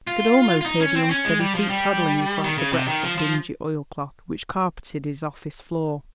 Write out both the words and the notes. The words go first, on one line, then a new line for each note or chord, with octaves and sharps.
He could almost hear the unsteady feet toddling across the breadth of dingy oilcloth which carpeted his office floor.
F4
F4
D#4
C#4
C4
C#4
G#3
G3
F3
G3
D#3
C#3
C3
D#3
F3
F3